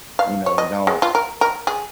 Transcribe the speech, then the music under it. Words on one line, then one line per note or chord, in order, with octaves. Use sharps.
you know, don't,
F5
C#5
D#5
G#3
F4
A#4
A#4
G#4